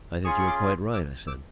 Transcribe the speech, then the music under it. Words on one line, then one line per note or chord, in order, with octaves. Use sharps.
"I think you are quite right," I said.
C#4 F4 G#4 C#6 D#6
C#6
C6 D6
D6 E6
D6 E6